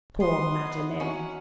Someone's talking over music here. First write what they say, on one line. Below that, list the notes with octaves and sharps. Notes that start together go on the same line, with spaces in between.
Poor Madeline!'
B3 D#5 E5 C6 D#6
F#3 C#4 E4 F#5 G#5 C#6